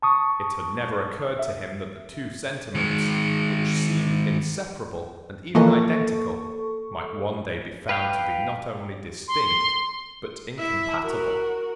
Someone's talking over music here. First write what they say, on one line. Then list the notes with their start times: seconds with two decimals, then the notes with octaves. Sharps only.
It had never occurred to him that the two sentiments, which seemed inseparable and even identical, might one day be found to be not only distinct but incompatible.
0.02 A5 C#6 D#6
1.39 E5
2.75 D#3 G#3
5.55 E3 F3 A#3 A4 D#5 C#6
7.89 B4 F5 G5
9.28 C6
10.58 E4 E5
11.03 F#4 A#4